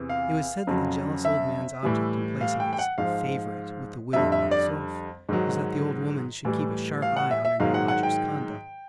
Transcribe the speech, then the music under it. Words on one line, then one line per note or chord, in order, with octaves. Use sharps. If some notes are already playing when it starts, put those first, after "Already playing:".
It was said that the jealous old man's object in placing his "favorite" with the widow Morozov was that the old woman should keep a sharp eye on her new lodger's conduct.
Already playing: E2 C3 E3
F5
F2 C#3 F#3
E5
A2 E3 G3
F5
G5
G5
F#5
G#2 F3 F5
F2 D3 G3 E5
E5
D5
G#2 D#3 F#3
A2 E3 G3
F5
F#5
E5
E5
G#2 D#3 F#3 F5
F#5
F#5
G5